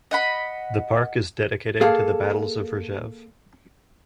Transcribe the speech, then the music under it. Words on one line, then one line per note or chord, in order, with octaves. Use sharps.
The park is dedicated to the Battles of Rzhev.
D#5 F#5 B5
A#3 G#4 A4 F5